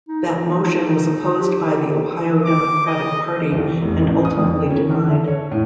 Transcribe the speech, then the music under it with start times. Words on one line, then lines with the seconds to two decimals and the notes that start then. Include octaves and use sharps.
That motion was opposed by the Ohio Democratic Party and ultimately denied.
0.08 D#4
1.39 G4
2.45 D6
2.87 D#5
3.52 C2
3.66 E3
3.82 F1
4.02 A1
4.25 D#6
4.37 F2
4.70 C#4
4.89 E3
5.09 E5
5.27 C#5
5.51 A2